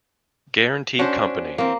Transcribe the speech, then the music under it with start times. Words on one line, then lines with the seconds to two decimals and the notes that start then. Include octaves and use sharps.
Guarantee Company.
0.99 C#4 D4 F#4 C5
1.58 E3 A#3 C4